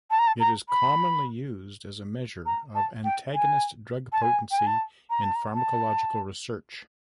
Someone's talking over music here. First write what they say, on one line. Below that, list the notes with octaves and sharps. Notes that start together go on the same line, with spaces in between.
It is commonly used as a measure of antagonist drug potency in pharmacological research.
A5
A#5
A5
A#5
B5
A#5
A5
G5
G#5
A5
G#5
G5
G#5
A5
A#5
A5
A#5
A5